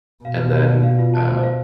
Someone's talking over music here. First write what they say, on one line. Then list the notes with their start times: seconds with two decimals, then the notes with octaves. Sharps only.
and then uh,
0.25 B2 F5
0.40 B4
0.54 B4
0.69 D5
0.83 F5
0.99 F4
1.14 A5
1.28 C5
1.43 F5